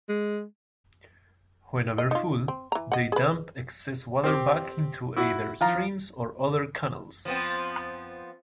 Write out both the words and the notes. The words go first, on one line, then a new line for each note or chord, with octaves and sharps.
When over full, they dump excess water back into either streams or other canals.
G#3
D#5
D#4 F4
C4
E3 A#5
D#5 F#5
G#4 B4
C4 G4
E4 F#4
F3 F4 A#5
F3 B3 C4